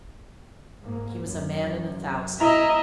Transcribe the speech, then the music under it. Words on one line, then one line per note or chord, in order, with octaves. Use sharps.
He was a man in a thousand.
G#2 A#3
F#2
B2 E4 D#5 E5 A#5